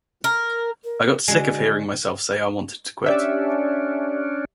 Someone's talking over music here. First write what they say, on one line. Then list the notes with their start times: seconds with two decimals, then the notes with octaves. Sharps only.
I got sick of hearing myself say I wanted to quit.
0.24 A#4
0.84 A#4
1.28 D3 G#3 F#4
3.06 C#4 D4 G4 D5 E5